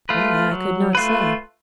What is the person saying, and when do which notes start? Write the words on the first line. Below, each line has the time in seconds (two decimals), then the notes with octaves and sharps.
Why, I could not say.
0.09 A3 F4 B4
0.51 F#3
0.95 A3 F4 B4